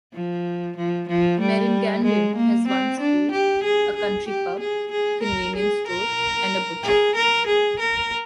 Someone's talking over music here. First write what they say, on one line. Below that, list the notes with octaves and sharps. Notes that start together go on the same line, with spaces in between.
Meringandan has one school, a country pub, convenience store and a butcher.
F3
F3
F3
G3
G#3
A#3
C4
D4
G4
G#4
G#4
G4
G#4
G#4
A#4
G#4
A#4
G#4
A#4
G#4
A#4